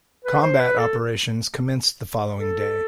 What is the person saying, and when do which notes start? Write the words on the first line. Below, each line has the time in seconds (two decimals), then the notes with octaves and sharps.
Combat operations commenced the following day.
0.25 B4
0.43 C5
0.60 B4
0.79 A4
2.38 A4